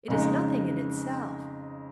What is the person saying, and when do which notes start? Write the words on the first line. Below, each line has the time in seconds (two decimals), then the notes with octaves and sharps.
It is nothing in itself.
0.08 F2 C#3 G#3 D#4